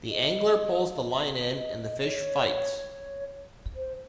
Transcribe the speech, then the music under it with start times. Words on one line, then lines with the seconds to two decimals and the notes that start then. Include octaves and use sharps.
The angler pulls the line in and the fish fights.
0.10 D#5
1.57 D#5
1.81 D#5
2.01 D#5
2.05 C#5
3.76 C5